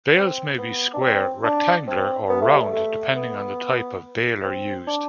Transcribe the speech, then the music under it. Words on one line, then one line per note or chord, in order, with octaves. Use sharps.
Bales may be square, rectangular, or round, depending on the type of baler used.
C4
B3
D4
C4
D4
C4
B3
A3
G3
A3
A3
B3
C4
D4